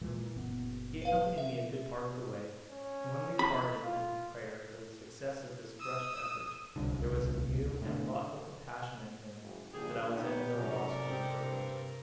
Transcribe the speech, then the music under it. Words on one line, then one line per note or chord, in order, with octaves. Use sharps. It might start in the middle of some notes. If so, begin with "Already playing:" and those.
He accompanied me a good part of the way; and when we parted, with a prayer for the success of this fresh effort, there was a new and thoughtful compassion in him that I was at no loss to interpret.
A#2 E3 G#3
F#1 A#2 B3
B4 F5
E5
C#4
B5
F4
D#6 E6
D1 C2 D3
A2 D3
F#1
A#1 D3 G3 A#3 G4 G#4
B3 D#4 G4 C#5
F#2 C3 A4 A#4 D5
C4 D4 D#4 G4
G2